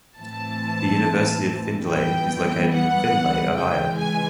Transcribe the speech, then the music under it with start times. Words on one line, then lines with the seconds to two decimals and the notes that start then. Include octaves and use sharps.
The University of Findlay is located in Findlay, Ohio.
0.19 A2 E3 A3 C4 A5
1.87 E3 G3 B3 G5
2.72 F#5
3.56 C#3 E3 G#3 G5
3.98 G#5